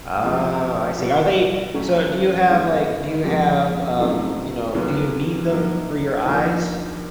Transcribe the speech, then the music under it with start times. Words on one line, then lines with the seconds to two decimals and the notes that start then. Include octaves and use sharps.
Oh, I see. Are they so, do you have, like do you have, um, you know, do you need them for your eyes?
0.23 C#2 C#3 F3
0.98 B2 G3 B3
1.74 F#3 A3 C#4
2.49 G2 E3 G#3 B3 D4
3.24 F2 C3 F3 G#3 C#4
3.99 C#3 F#3 A3 C4 D#4
4.75 D#2 C#3 F#3 B3
5.50 F#3 A#3 D#4
6.25 D#2 D3 F3 A#3